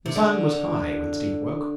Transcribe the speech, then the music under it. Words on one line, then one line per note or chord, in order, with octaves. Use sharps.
The sun was high when Steve woke.
C3
D3